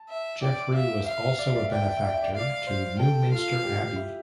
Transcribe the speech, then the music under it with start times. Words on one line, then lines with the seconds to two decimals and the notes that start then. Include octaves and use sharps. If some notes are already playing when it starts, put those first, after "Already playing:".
Geoffrey also was a benefactor to Newminster Abbey.
Already playing: A5
0.09 E5
0.42 D5 G5
0.74 E5 F5
1.06 E5 F5
1.39 D5
1.46 E5
1.56 D5
1.64 E5
1.71 D5 G5
1.81 E5
1.89 D5
1.97 E5
2.06 D5
2.14 E5
2.23 D5
2.31 E5
2.35 D5 F5
2.67 C5
2.99 A4 G5
3.31 F4 F5
3.64 G4
3.96 E4